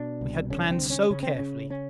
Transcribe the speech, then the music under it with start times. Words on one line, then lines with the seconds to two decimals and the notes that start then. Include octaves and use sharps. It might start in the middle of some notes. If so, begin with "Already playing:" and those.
We had planned so carefully!
Already playing: B2 D4
0.21 C2
0.50 D3 C#4
0.70 C4
0.80 D3
0.90 C#4
1.11 C#3 C#4
1.23 C4
1.35 C#3 C#4
1.70 C#4